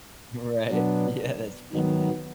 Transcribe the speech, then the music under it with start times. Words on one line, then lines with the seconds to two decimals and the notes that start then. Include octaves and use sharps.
Right. Yeah, that's funny, yeah.
0.70 B2 F#3 B3 D4
1.73 D#3 F#3 B3